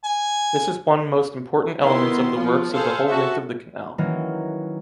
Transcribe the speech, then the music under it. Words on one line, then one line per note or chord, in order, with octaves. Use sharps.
This is one most important elements of the works of the whole length of the canal.
G#5
D#3 B3 E4 C6
F3 F4
G#4 A4 C5 F5
F#4 A4 E5
D#3 E3 F#3 A#3 C#4 A#4